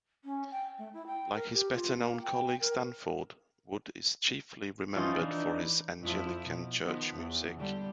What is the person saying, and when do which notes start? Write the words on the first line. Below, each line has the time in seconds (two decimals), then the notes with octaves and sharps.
Like his better-known colleague Stanford, Wood is chiefly remembered for his Anglican church music.
0.25 C#4
0.51 G5
0.78 A3
0.93 E4
1.07 G5
1.34 A#4
1.53 G4
1.72 F4
1.97 A#3
2.22 G5
2.61 A#4
4.96 E3 F3 C#4 D#4 F4
5.21 E3 D4 D#4
6.01 F2 F3 E4
6.47 B2
6.83 D#3 F3 B3
7.15 E2
7.57 D3 G3